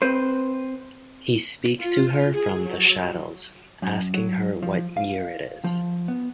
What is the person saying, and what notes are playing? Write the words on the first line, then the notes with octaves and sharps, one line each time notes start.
He speaks to her from the shadows, asking her what year it is.
C4 B4 C5
F4
G#4
F#3
F#2
F#3
F3
F5
F3
B3